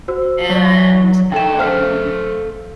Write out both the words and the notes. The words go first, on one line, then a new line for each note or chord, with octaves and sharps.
and, um,
F#4 C5 E6
F#3 C#5 D5
D3 A4 E5 G5 E7
A4 C5 E5 F5 F6